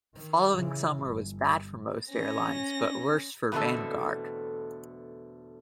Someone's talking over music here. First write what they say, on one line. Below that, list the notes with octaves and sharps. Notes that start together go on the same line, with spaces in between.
The following summer was bad for most airlines, but worse for Vanguard.
D#3
C#3 E3
G1
C#4 A#6
E2 B2 D3 A3 C4 A4